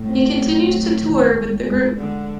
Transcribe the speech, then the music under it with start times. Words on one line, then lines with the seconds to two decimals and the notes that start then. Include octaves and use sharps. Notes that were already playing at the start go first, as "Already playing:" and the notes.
He continues to tour with the group.
Already playing: A2 A3
0.09 C4
0.40 F#3
0.72 F#3
1.03 D#2
1.34 B3
1.66 G#3
1.98 D3 G#3